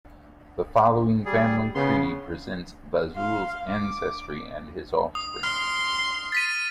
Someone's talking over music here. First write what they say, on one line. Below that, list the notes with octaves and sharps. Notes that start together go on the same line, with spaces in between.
The following family tree presents Vazul's ancestry and his offspring.
G3 G#4
C#3 B3 C6
F5 C6
D6
D#6
C6 F6
A6 B6 D#7